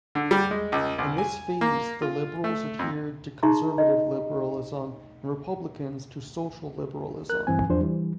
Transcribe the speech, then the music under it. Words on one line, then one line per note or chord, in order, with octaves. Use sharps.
In this phase the Liberals adhered to conservative liberalism and Republicans to social liberalism.
D3
G3
G#3
C#2
C2
G#5
A#3
F4
A3
F2
D#4 G#4 E5 A#5 C6 C#6
D#5
A#4 F#6
G2 E3 C4 G#5
E2 F3 D4 C5
E3 G3